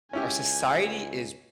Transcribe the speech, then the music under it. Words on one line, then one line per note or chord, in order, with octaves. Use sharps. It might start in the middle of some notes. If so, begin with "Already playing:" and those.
our society is
C#2 C#4 E4 G4 G#5